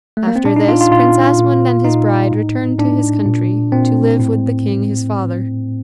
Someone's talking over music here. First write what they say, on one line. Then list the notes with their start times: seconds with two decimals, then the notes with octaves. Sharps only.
After this Prince Asmund and his bride returned to his country to live with the king his father.
0.17 A3
0.27 A#3
0.36 C4
0.45 A#2 D4
0.56 D#4
0.68 F4
0.81 F4
0.91 A#2 F4
1.39 A#2
1.85 A#2 D#4
2.32 A2
2.78 A2 D4
3.26 A#2
3.72 A#2 C4
4.19 A2